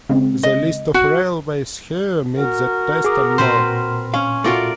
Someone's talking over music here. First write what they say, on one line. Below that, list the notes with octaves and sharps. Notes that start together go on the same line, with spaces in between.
The list of railways here meet that test and more.
C#3 G#3 C4
D#5
F#4
F#4 A#4
G#4 D6 D#6
A#2 C4 B4 C5 C6
C#4 F5
A3 F4 F#4 A#4 D5